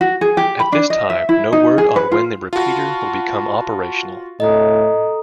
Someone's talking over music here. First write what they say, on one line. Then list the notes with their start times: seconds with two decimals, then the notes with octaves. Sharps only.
At this time, no word on when the repeater will become operational.
0.01 F#4
0.21 G#4
0.37 G4
0.60 B5
0.72 D4
0.90 D#5
1.10 E5
1.29 E4
1.53 D#4
1.78 G#4
1.96 B4
2.12 F4
2.53 F4 F#4 A5 B5
4.40 A2 A4 D#5 A#5 D#6